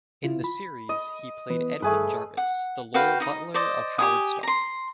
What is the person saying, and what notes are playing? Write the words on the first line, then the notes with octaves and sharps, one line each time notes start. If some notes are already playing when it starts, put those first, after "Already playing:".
In the series, he played Edwin Jarvis, the loyal butler of Howard Stark.
C#3 E4 F4
B5
D#5
E3 B3 B4
G2 A3 G#4 B4
F#5
F#4 B4 F5 G5
D#4 D#5
C5 D5 D#5
G4 G#5 D#6
A#5 C6